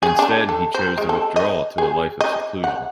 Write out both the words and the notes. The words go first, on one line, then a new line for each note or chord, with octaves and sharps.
Instead, he chose to withdraw to a life of seclusion.
G#4
D4
A4
C5
G#3
A4
D#5
G#4
D#5
F#5